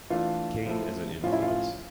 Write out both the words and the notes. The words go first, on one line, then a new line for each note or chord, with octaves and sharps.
Kane as an influence.
E3 A3 D4 F4 A4
F3 A3 E4 A4
A2 F3 C#4 F4
E4
F4